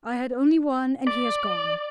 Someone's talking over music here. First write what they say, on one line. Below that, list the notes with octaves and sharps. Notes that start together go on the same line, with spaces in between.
I had only one, and he has gone.
D5